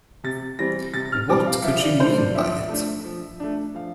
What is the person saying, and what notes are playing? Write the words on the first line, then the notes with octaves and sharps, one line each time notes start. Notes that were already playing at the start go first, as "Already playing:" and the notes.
What could she mean by it?
C3 A6
E3 G3 C4 A#6
C3 A6
F6
E3 G3 C4 D6
F5
F3 E5
D5
A3 D4 C5
D5
F3 E5
A3 D4
F3
A3 D4
F3 F5